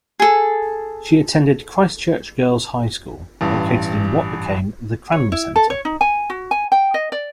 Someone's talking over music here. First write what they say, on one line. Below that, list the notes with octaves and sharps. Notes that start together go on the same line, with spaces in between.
She attended Christchurch Girls' High School, located in what became the Cranmer Centre.
G#4 A4
A1 G2
C#5
E4
A4
C#5
D#4
G#5
F#4
G#5
G5
D#5
D5